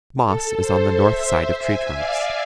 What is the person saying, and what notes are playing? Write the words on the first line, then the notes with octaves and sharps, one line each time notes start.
Moss is on the north side of tree-trunks.
A4
A4 C5
C5 E5
C5 E5
E5 G#5
D5 F5